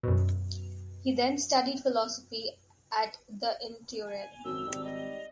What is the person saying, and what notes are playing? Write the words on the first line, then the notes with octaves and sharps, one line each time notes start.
He then studied philosophy at the in Turin.
F#2 B2
G#5
G#1 F#2 E6
G#1 G3
D#5